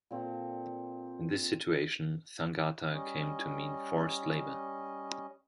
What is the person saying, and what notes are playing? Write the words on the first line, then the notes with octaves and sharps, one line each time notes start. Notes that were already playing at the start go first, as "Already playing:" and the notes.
In this situation thangata came to mean forced labour.
A#2 C4 A4
G3 C#4 D#5